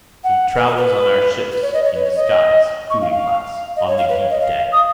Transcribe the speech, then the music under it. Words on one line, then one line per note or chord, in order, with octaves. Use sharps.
"He travels on our ships, in disguise, coolie-class, on the geek-deck."
F#5
B4
A#4
B4
B4
C#5
D#5
C#5
B4
C#5
D#5
C#6
F5
F5
D#5
C#5
F5
B4
C#5
D#5
F5
D#6